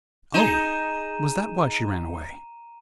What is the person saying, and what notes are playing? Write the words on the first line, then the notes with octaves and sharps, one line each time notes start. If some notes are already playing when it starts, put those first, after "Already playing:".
"Oh! Was that why she ran away?"
D#4 G#4 A#5 D#7 E7